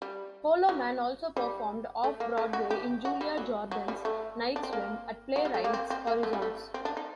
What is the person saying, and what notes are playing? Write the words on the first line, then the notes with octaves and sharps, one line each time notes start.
Holloman also performed off-Broadway in Julia Jordan's "Night Swim" at Playwright's Horizons.
G3
F#3
G3
A3
A#3
A3
F#4
G4
F#4
G3
F#3
F#3
G3
A3
D4
C4
A#3
F#3
G3
A3
A#3
C4
C4
A#3
A3
G3
A3
C4
D4
D#4